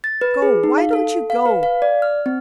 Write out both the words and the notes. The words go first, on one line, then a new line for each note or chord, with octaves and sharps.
Go--why don't you go?
A6
B4
G#4
D#4
F5
A4
F5
B4
F5
D5
F6
C4